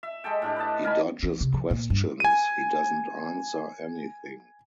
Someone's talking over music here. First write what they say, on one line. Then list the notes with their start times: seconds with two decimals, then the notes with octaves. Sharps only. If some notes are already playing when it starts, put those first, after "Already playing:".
He dodges questions, he doesn't answer anything.
0.03 E5
0.24 G#3 G4 A4 G5
0.42 A2 D4 G4
0.56 B4 D#5 A5
0.83 D#3 A#4 G#5 B5
1.23 E3
1.41 C3
1.54 F3
1.71 A#2
1.90 G2
2.20 G#5 D#7